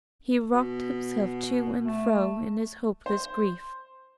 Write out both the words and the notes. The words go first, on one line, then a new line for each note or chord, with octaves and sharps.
He rocked himself to and fro in his hopeless grief.
B2
A3
C5